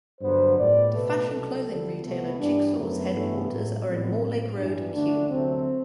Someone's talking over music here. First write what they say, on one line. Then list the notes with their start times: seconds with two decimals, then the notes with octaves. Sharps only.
The fashion clothing retailer Jigsaw's headquarters are in Mortlake Road, Kew.
0.21 G2 D3 F#3 B3 C5
0.58 A2 G3 B3 D5
0.94 B2 A3 B4
1.30 C2 B2 F#3 A4
1.67 D2 D3 G3
2.03 C2 B2 A3 B3
2.39 G2 E3 G3 B3 D4
2.75 F#2 F#3 A3 B3
3.11 G2 E3 A3
3.47 A2 F#3 A3
3.84 A2 G3 B3 C4
4.20 A2 F#3 B3
4.56 G2 E3 G3 B3 D4
4.92 D2 D3 A3 D4
5.29 D2 C3 F#3 A3 C4